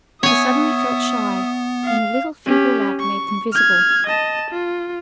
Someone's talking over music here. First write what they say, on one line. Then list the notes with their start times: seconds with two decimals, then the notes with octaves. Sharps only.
She suddenly felt shy, when the little feeble light made them visible.
0.23 B3 C#5 E5 G#5 D#6
1.85 F5
2.46 C#4 G4
2.99 C#6
3.53 F6 G#6
4.07 D#5 A5
4.51 F4